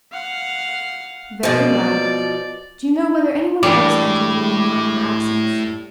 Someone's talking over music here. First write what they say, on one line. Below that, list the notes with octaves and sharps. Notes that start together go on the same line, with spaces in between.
"Very well; do you know whether any one else entered the room during your absence?"
F5 F#5
B2 F3 D5
A2 E3 G3 D4 D6